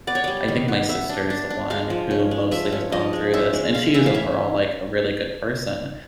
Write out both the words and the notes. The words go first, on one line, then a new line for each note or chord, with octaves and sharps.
I think my sister is the one who mostly has gone through this, and she is overall, like, a really good person,
B3 D5
C#5
G3 D5
D#3
B3
B3 E5
D4
D4
D4
G#3 F5
F3
C#4
G#3
F3 E5
C#4
F3 D#5
G#3
C#4 E5
G#3
C#4 F5
E3 E5
F5
C#4 E5